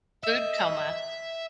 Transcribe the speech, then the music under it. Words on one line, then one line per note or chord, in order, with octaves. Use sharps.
Food coma.
D#5 E5